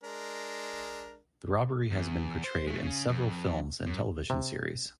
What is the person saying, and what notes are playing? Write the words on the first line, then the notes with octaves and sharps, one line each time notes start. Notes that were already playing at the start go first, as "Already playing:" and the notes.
The robbery has been portrayed in several films and television series.
G#3 D4 A#4
E2
C5
G#3 A3
C#3 C#4
F2
F#2
C3